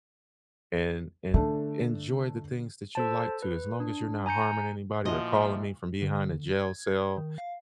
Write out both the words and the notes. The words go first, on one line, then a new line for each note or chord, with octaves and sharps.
and and enjoy the things that you like to as long as you're not harming anybody or calling me from behind a jail cell.
D3 A3 D4
A4 C5 A5
B4
D4
G#5 A#5 G6 C#7
A#2 F3 E4 F#4 D#5
D3
G#6
D#3
F5